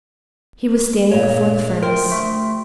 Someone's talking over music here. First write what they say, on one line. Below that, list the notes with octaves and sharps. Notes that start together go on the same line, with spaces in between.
He was standing before the furnace.
G2 A#2 G#4 C#5
D2 A#4 C5 G5 C6
A3